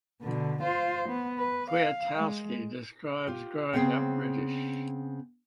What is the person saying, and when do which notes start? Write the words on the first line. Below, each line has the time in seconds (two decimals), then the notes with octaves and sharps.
Kwiatkowski describes growing up British.
0.22 B2 D3
0.62 F4 C5
1.09 B3
1.38 B4
1.70 F5
2.15 G#3
3.27 F4 G4
3.73 C#3 B3 C4 G#4 C5 G5